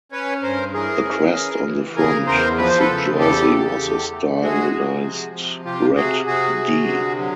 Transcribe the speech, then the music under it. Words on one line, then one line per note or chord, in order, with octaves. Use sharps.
The crest on the front of the jersey was a stylized red "D".
C#4 B4 C#5
G2 A#4 C5
E3 G#4 A#4
C#4
E3
E3
C#3 G#4 A#4
E2 A#4 C5
F3 B4
C5
A4 B4
C#3
E2 G4 A4
C#3
E2
A3
G#3 F#4 G#4
C3
F3
C3
C3 F4 G4
C3 F#4 G#4
C3 F#4 G#4
C3
D3
F#3